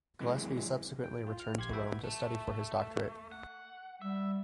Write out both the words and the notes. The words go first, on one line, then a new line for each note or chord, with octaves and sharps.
Gillespie subsequently returned to Rome to study for his doctorate.
F#2 C3 E3 G#3
G5
F4
F6
A#1 G4 C6 G#6
E4 F#4 G4 B4 E5 G5
A3
F#5
G3 E5